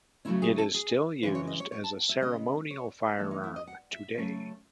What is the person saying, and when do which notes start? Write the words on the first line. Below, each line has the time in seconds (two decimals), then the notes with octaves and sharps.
It is still used as a ceremonial firearm today.
0.25 C#3 F#3 A3 C#4 E4
0.42 G#4
0.58 A4
0.74 G#4
1.23 C#3 E3 G#3 B4
1.35 C#5
1.47 D#5
1.60 C#5
1.72 C#5
1.84 A5
2.09 E5
2.21 C#3 G#3 B3 D#5
2.70 C#5
3.18 E3 A3 C#4 A4
3.31 D#4
3.44 E4
3.56 D#5
3.67 F#5
3.93 E5
4.17 C#3 F#3 A3 C#4